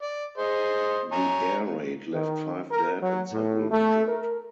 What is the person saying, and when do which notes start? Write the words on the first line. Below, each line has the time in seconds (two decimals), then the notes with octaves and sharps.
The air raid left five dead and several injured.
0.02 D5
0.38 G#4 C5 D#5
1.12 C#5 G#5 A#5
2.13 D#3
2.71 A#4
3.02 F#3
3.32 A2
3.71 A3
4.08 A#4